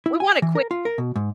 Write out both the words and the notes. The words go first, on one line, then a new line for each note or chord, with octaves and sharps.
We want it quick
E4
G#5
E3
A#4
F4
A#4
B2
G#2